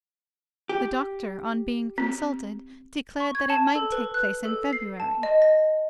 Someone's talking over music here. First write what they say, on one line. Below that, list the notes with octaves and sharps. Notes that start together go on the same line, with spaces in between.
The doctor, on being consulted, declared that it might take place in February.
G4
C4
C#6
G#6
A5
A4
B4
F#6
A4
C7
A5
D#5
A#6